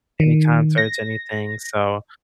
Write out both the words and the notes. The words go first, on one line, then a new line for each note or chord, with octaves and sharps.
any concerts, anything so,
D#3
A#6